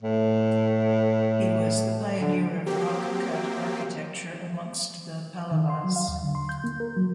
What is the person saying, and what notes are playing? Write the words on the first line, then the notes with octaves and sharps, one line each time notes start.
He was the pioneer of Rock-cut Architecture amongst the Pallavas.
A2
D3
F#3 A#3 C4 G4
D#3
C6
F#3
F5
D#2
D3
C6
G6
A#3
A#4
F#3